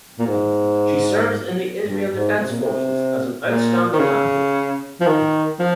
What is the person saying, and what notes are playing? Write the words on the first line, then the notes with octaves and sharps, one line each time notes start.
She serves in the Israel Defense Forces as an outstanding athlete.
A#2
G#2
G2
G#2
C3
A#2
C3
A#2
D#3
C#3
F3
D#3
F3